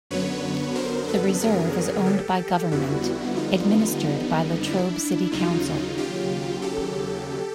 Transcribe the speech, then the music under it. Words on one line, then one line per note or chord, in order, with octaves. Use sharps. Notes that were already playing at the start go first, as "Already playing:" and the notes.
The reserve is owned by government, administered by Latrobe City Council.
F#2 D3 F#3 B3 B4 C#5
A#4 C5
A4 B4
G#4 A#4
G4 A4
F2 D3 G3 B3 E4 F#4
D#4 F4
D#4
D4 E4
D#2 C#3 F#3 D#4 F4
F4 G4
G4 A4